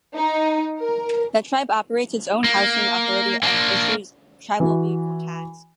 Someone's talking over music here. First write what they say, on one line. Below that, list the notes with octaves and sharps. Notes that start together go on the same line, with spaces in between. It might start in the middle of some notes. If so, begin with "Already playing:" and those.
The tribe operates its own housing authority and issues tribal vehicle tags.
D#4
A#4
A#3
A#3 D4
E3 F#4